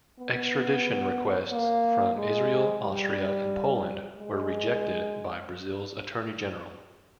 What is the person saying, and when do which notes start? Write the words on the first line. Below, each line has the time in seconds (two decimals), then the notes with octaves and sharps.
Extradition requests from Israel, Austria and Poland were rejected by Brazil's Attorney General.
0.20 B3
1.52 A#3
2.19 G#3
2.85 G3
4.17 G#3